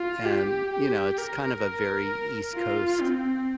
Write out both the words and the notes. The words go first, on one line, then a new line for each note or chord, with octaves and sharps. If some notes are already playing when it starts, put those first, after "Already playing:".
And, you know, it's kind of a very East Coast
Already playing: F4
G4
G4
A#4
F4
C4